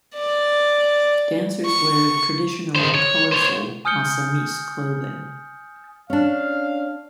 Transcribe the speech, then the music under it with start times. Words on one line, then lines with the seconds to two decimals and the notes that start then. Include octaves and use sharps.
Dancers wear traditionally colorful Assamese clothing.
0.15 D5
1.66 C#6
2.76 D#3 C5
2.95 C#5
3.32 C5 C#5
3.85 G#5 D#6 F6 G6 C#7 G7
6.10 C#4 D4 F5